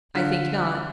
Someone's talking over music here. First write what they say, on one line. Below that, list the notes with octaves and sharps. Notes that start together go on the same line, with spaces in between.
"I think not."
D3 F4 B6